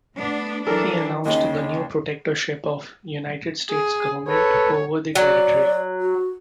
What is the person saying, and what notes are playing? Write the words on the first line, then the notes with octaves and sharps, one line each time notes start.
He announced the new protectorship of the United States government over the territory.
A3 B3 D4
E3 F#3 D4 A4 A#4
D#2 C#3 D#5
G#4
A4 B4 C#5
F#3 D5
F#4